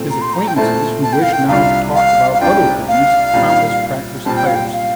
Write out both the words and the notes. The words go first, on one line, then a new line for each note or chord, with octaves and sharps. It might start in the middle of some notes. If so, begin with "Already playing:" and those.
His acquaintances who wished now to talk about other things found this practice tiresome.
Already playing: A#2 A3 C4
A#5
C6
A#5
G5
A#2 A3 C4 E4 A5
A5
G5
F5
G5
C2 C3 G3 D4 F4 F5
F5
F5
C2 C3 G3 D4 F4 G5
F5
A#2 G3 C4
A#2 G3 C4 A5
G5
F5
G5
F5